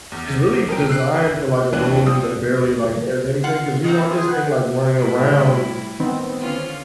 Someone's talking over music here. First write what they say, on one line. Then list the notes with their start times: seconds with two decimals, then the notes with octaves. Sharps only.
it's really designed for, like, a room that barely, like has anything, 'cause you want this thing like running around
0.12 E2
0.68 F2 A#4 G5 D7
0.90 E6 F#6 C7
1.73 D#2 E3 D4 E4 F#6
2.06 F3 G4 D#6 E6
3.44 F4 F#5
3.84 D#3 A#3 C4
4.08 F4 G#4
4.27 B4 C5 F#5
4.98 A2 G3 E4
5.99 D#3 B3 C4
6.40 D3 C#4 F4